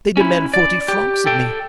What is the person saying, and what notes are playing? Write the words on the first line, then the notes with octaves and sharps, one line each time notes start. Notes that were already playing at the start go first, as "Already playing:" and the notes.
They demand forty francs of me.
C#4 E4
D5
G4
A4 G5